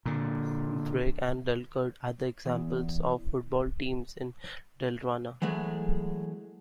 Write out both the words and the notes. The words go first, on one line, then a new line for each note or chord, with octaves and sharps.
Brage and Dalkurd are examples of football teams in Dalarna.
A#2 D3
E2
E3 F#3 G#3 A3